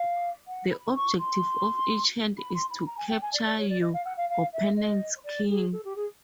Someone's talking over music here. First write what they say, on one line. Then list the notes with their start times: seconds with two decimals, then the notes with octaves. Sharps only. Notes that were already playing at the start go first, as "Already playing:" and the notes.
The objective of each hand is to capture your opponent's king.
Already playing: F5
0.47 F#5
0.71 B5
0.95 C#6
1.18 C6
2.38 B5
2.54 C6
2.70 B5
2.86 A#5
2.97 G#5
3.09 G5
3.21 G#5
3.33 D5
3.45 D5
3.57 C#5
3.69 D5
3.81 D#5
3.93 F5
4.05 F#5
4.17 F5
4.29 F5
4.53 E5
4.76 D#5
5.24 D5
5.48 G#4
5.72 A4
5.84 G4
5.96 G#4